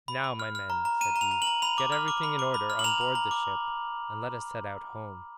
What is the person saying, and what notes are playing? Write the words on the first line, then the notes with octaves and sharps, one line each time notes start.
"Now, my men," said he, "get everything in order on board the ship, and let us set out home."
B5
B5
F6
F6
A#5
A#5
A#5 D#7
A#5
F7
A#5
F#7
A#5
B5 F7
D6
F6
D6
B5
D6
B5
F6
F#7
A#5 F7
A#5
A#5
D6